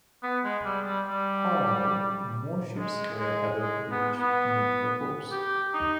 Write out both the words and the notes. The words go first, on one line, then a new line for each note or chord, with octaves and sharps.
However, most ships were able to reach neutral ports.
B3
G#3
G3
G3
G3
G#3
G#3
G#3
B3
B3
G4
D#4